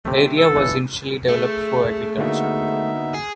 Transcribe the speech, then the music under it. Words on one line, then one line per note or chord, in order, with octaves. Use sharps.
The area was initially developed for agriculture.
C3 A3
A4
G1 E3
A3 G#4
D3 A#3 B3 D#4 F#4 E5
G#4